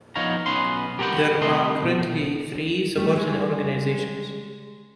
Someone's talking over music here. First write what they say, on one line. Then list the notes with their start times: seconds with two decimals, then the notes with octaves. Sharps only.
There are currently three Supporting Organizations.
0.16 F3 B3 D#4 C#5 F5 A#5
0.46 B1 B3 C#4 B4 C6
0.99 G4 A#4 B4 F#5 G5
1.41 C3 G3 A3 D4 D#5 C6
1.83 B2
2.95 G3 A3 G4
3.15 G3 G#3